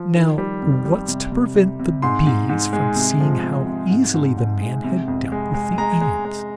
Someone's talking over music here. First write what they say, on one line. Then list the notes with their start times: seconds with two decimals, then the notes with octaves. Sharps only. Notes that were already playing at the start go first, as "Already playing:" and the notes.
Now, what's to prevent the bees from seeing how easily the man had dealt with the ants?
Already playing: F3
0.15 D#3
0.38 G3
0.62 F2
0.85 G3
1.08 C3
1.32 C3
1.55 C3
1.79 C3
2.02 G#2 C6
2.27 G#2
2.49 G#2
2.73 G#3
2.96 C3
3.20 F3
3.44 C3
3.67 C3
3.90 G#2
4.14 G#2
4.37 G#2
4.61 G#3
4.84 C3
5.08 F2
5.32 G#3
5.54 G#3
5.78 G#3 A#5
6.01 G#3
6.25 G#3